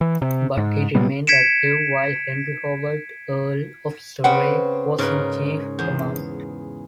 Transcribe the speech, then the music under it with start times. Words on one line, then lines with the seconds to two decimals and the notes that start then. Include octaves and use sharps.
But he remained active while Henry Howard, Earl of Surrey was in chief command.
0.01 E3
0.22 C3
0.57 G#2
0.95 A#2 F#3 G3 B3
1.27 G#6 B6 C#7 D7 E7
4.24 C#3 C4 B4 F#5
4.98 G#2 C#3 D#4 A#4 B4
5.79 E2 C5